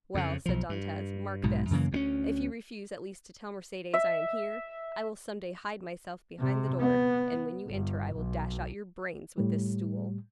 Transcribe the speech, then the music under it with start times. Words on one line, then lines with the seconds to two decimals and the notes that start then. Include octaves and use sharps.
"Well," said Dantes, "mark this; if you refuse at least to tell Mercedes I am here, I will some day hide myself behind the door, and when you enter I will dash out your brains with this stool."
0.15 F2 C#3
0.46 B1 F3
0.69 G2
1.43 B1 G#2 B2
1.71 F#2 C#3 E3 A#3
1.92 D2 G3 C#4
3.94 E5
6.39 C3
6.80 B3
7.68 G1
8.16 B1
9.38 A2 G3